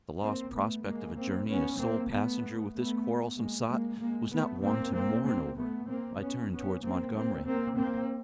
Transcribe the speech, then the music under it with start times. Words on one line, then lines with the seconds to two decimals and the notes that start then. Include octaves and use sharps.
The lost prospect of a journey as sole passenger with this quarrelsome sot was not one to mourn over. I turned towards Montgomery.
0.22 A#3 C4
0.54 A3 B3
0.85 G#3 A#3
1.16 A#3 C4
1.48 B3 C#4
1.79 A#3 C4
2.11 A3 B3
2.73 A3 B3
3.36 G#3 A#3
3.67 G#3 A#3
3.99 G#3 A#3
4.31 A3 B3
4.62 A#3 C4
4.93 A#3 C4
5.26 A#3 C4
5.57 A3 B3
5.88 A#3 C4
6.19 B3 C#4
6.51 B3 C#4
6.82 A#3 C4
7.14 A#3 C4
7.45 A#3 C4
7.77 A#3 C4